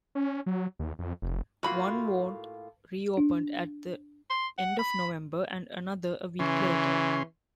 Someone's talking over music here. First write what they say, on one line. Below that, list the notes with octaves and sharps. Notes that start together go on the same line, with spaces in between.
One ward reopened at the end of November and another a week later.
C#4
F#3
D#2
F2
F1
A2 A#3 F4 F#4 B5
D4
C6
F#5
B5
C#3 E3 C#4 C6